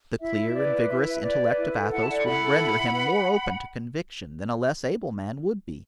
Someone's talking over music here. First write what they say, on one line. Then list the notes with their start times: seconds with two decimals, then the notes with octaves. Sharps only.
The clear and vigorous intellect of Athos would render him more open to conviction than a less able man would be.
0.21 E4 E5
0.38 E4
0.55 B4 D5
0.72 B4
0.89 E4 E5
1.07 B4
1.14 E5
1.23 B4 D5
1.40 B4
1.57 E4
1.74 A4
1.91 E4 F#5
2.00 A5
2.08 A4 D5 F#5
2.25 E4 F#5 B5
2.42 A4
2.59 E4
2.76 E4
2.93 B4